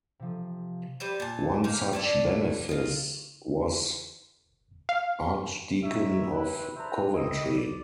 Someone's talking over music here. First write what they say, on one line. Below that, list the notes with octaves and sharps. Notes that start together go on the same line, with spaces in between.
One such benefice was Archdeacon of Coventry.
C3 F3
G3 B4 C5
A#2 A5
A#3 D#4 F5
A3 E4 D5
F4 D#5
F5
D#4 C#5 E5
C4 E4 B4
D4 B4 C5 E5 A#5
C4 E4 D#5
D5